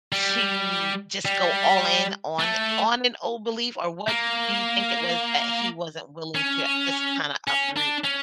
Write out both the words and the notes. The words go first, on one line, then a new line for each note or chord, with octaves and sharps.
to just go all in on on an old belief or what do you think it was that he wasn't willing to just kinda uproot,
G3
G3
A3
A#3
C#4
C#4
D4
C#4